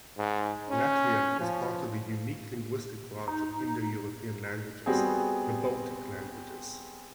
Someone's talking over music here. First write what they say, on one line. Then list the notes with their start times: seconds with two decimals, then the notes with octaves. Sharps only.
Latvian is part of a unique linguistic branch of Indo-European languages: the Baltic languages.
0.18 G#2
0.70 C#4
1.40 F3
3.28 D#4
4.86 G3 B3 C4 F#4 G#4